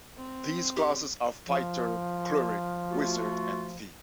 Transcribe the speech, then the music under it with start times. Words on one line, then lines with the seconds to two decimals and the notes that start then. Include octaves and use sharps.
These classes are fighter, cleric, wizard and thief.
0.17 C4
0.77 G4
1.47 F3
2.89 A3 F4 F#4